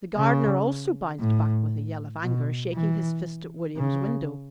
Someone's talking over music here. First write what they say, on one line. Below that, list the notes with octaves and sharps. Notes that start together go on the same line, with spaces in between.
The gardener also bounced back with a yell of anger, shaking his fist at William's window.
C#3
A2
B2
E3
C#3